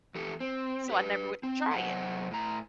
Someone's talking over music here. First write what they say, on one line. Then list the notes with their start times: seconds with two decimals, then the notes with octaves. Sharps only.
so I never would, eh, try it.
0.15 E2 G4 A4
0.40 C4
0.89 G4 B4
1.43 C4
1.71 C3 F#3 A3 C5 D#5 F#5
2.31 A2 A#5